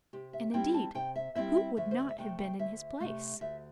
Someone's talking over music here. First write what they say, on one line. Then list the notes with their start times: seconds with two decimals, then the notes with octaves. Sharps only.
And indeed who would not have been in his place?
0.13 C3 G4
0.33 E5
0.54 G3 C4 E4 G5
0.74 A5
0.95 C3 G5
1.16 E5
1.35 G3 C4 E4 E5
1.57 E5
1.77 D2 E5
1.91 C5
2.00 D5
2.09 E5
2.18 C3 A3 G5
2.39 G5
2.59 D2 E5
3.00 C3 A3
3.41 D2 E5